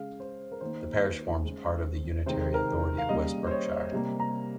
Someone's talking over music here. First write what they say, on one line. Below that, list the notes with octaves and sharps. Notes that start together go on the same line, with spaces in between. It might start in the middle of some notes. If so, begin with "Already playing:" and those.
The parish forms part of the unitary authority of West Berkshire.
Already playing: C#3 G#3 F5
C5
A#4
D#3 A#3 C5
C#3 G#3
C3 D#3 G#3 C5
A#4
F5
C#3 G3 A#3 D#5
C5
C#5
C3 G3 A#3
A#5